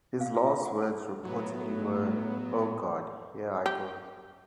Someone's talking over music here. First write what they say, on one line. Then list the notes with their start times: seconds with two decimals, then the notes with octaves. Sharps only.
His last words reportedly were, Oh God, here I go.
0.21 F5
0.35 F4
0.47 E5
0.65 F#5
0.82 A4
1.23 A2 F#3 B3
3.66 G4